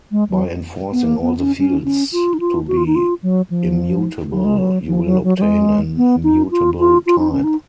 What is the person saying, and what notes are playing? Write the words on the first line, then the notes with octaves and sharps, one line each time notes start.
By enforcing all the fields to be immutable, you will obtain an immutable type.
G#3
F#3
B3
A#3
B3
C#4
C#4
C#4
F4
D#4
F4
F#4
F4
D#4
F4
F#3
F3
F#3
G#3
F#3
F3
F#3
F#3
F#3
G#3
B3
D#4
F4
F4
F4
D#4
C#4
D#4